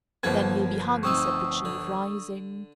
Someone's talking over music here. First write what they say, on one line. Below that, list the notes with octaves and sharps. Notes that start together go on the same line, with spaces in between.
"Then he'll be hung," said the Chief, rising.
G1 F3 A#3 B3 A4 G#6
A3 C4 D#4 C#6 D#6 E6
D3